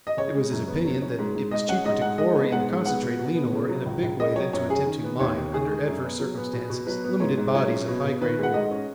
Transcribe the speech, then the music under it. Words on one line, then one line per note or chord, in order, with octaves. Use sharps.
It was his opinion that it was cheaper to quarry and concentrate lean ore in a big way than to attempt to mine, under adverse circumstances, limited bodies of high-grade ore.
D#5
C#3 C#5
G#3
F#2
B3
F#3
C#4
G#2
G#2
G#3 D#5
C#4 F#5
G#2 D#5
G#2 F#5
G#3 D#5
B3
G#2 F#5
G#2
B3 F#5
B2
B2
B3
C#3
F#3
C#2
C#2
C#3 D#5
F#3 C#5
F#2 C#5
C#4 G#4
D#3
B3
D#2 C#5
D#2
D#3 G#4
G#3
F#2
B3
F#3
B3
B2
B2
F#3 B4
B3
G#2 C#5
G#2
F#3 C#5
C#4
B2
B2
D#3 B4
G#3 F#5
G#2 D#5
C#4